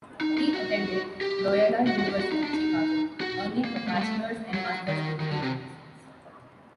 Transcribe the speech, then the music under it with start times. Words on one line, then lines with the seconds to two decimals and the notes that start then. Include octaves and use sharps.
He attended Loyola University Chicago, earning a bachelor's and master's degree in business.
0.21 D#4
0.38 D#4
0.54 F#4
1.21 G4
1.87 F#4
1.99 F#4
2.09 G4
2.20 F#4
2.32 D#4
2.43 D4
2.54 D#4
3.21 F#4
3.65 A#3
3.77 A#3
3.87 A3
3.94 G3
4.02 A3
4.54 F#3
4.88 D#3
5.20 D#3
5.31 D3
5.42 C3